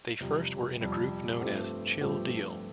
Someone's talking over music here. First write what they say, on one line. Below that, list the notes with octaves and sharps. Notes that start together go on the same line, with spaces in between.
They first were in a group known as Chill Deal.
F2 C3 G3
F2 C3 G3
G2 F3 A3 C4 G4
G2 F3 A3 C4 G4